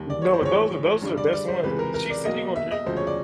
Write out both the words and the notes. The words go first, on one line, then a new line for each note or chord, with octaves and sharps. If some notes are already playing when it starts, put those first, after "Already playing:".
N no, but those are those are the best ones, she said you gonna dri
Already playing: D#2 D#3 G3
D5
C#5
C5
A#1 G#2 E3 G#3 C#5
G2 D3 G3
D5
D5
C5
C#2 C3 E3 G#3 B4
A#4
A#4
D5
B1 B2 F#3 A#3 D#5
E5
D#5
E1 D2 C#3 F3 C5
C#5
D5